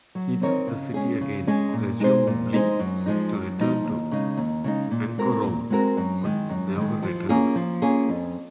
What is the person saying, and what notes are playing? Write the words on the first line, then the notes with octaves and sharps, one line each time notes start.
He left the city again, presumably to return to Anchorome, but never returned.
F#3
C4 D#4 A#4 C#5
C#3
G#3 C#4 G#4
C#3
G#3 C#4 G#4
A#2
G#3 D#4 G#4 C5
A#2
G#3 D#4 G#4 C5
F#2
F3 G#3 D#4
F#2
F3 G#3 D#4
D#2
C#3 G#3 D#4
D#2
C#3 G#3 D#4
A#2
G#3 C4 F#4 A#4
A#2
G#3 C4 F#4 A#4
F#2
D#3 G#3
F#2
D#3 G#3
F3
A#3 C#4 F4 G#4
F3
A#3 C#4 F4 G#4
F2